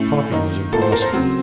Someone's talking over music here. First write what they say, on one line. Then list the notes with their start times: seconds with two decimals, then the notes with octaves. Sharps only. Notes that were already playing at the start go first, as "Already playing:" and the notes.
Talking was impossible.
Already playing: A2 A3 C#4
0.32 D#3 A#3 D#4
0.72 A2 F3 A#3 A4
0.82 C5
0.92 A#4
1.02 C5
1.12 C#3 F#3 C4